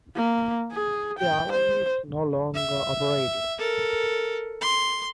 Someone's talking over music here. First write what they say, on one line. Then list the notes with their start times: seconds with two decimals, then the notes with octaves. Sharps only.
The airline is no longer operating.
0.16 A#3
0.72 G#4
1.19 G5
1.52 C5
2.54 E5
3.59 A4 A#4
4.61 C6